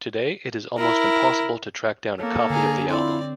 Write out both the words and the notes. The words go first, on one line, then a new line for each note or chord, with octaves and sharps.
Today it is almost impossible to track down a copy of the album.
E4 A#4
A#3 A4 C#5
D3 G#4 A#5
C4 E4 F4 D5 C6